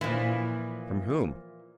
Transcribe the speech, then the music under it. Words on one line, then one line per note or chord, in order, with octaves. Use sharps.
From whom?
A#2 E3 F3 E4